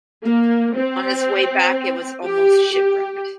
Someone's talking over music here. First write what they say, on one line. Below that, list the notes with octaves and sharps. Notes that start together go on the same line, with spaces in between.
On his way back it was almost shipwrecked.
A#3
C4
G4
G4